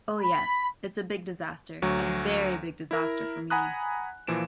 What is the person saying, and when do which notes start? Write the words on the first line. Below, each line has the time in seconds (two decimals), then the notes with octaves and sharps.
Oh yes. It is a big disaster, a very big disaster for me!
0.18 B5
1.82 D2 F#3 C#6
2.91 E4 A#4
3.50 F#5 G#5 A#5 B5 D#6 F#6
4.27 A#2 E3 F3 D7 E7